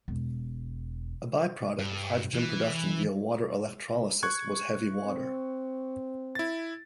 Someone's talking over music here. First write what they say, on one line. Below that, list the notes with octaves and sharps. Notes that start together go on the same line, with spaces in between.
A by-product of hydrogen production via water electrolysis was heavy water.
E1
G2
E3
C#6 F#6 G#6
C4
E4 A6